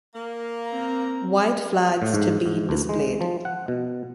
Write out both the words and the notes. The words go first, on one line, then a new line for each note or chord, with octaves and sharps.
White flags to be displayed.
A#3
C4 A#5
A2
G#2
G#2
D2
G#3
F3
F#5
B2